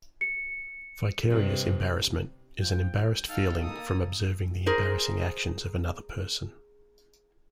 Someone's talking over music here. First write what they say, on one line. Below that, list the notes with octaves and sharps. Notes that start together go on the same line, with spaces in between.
Vicarious embarrassment is an embarrassed feeling from observing the embarrassing actions of another person.
C#7
G2 C3
F3 G5
G2
D#4 A4 F5 G5
A#3 A4 D#6
G#4 A#4 C5